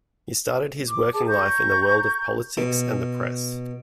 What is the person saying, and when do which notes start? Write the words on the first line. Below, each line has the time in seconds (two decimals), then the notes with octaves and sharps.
He started his working life in the world of politics and the press.
0.89 D6
1.13 G#4 A5 D6
1.28 A#5 C#6 G6
2.57 B2